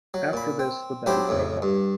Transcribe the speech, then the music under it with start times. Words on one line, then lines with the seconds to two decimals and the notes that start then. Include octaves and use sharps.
After this, the band broke up.
0.14 F#3
0.33 A#2 B5
0.59 C4
1.06 B1 F#3 D4 G4 C5 B5
1.29 F2 A2 C#3
1.62 G2